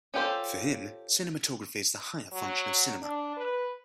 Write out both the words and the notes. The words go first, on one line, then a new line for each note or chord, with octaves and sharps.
For him, cinematography is the higher function of cinema.
C#4 F4 G4 A4 C5
F#3
D4
B4